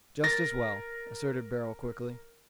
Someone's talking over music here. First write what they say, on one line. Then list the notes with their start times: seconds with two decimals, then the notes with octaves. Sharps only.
"Just as well," asserted Beryl, quickly.
0.24 A#4 A6 A#6